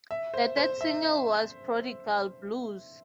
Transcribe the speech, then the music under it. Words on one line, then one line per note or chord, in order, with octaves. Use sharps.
The third single was "Prodigal Blues".
E5
C5
C5
E5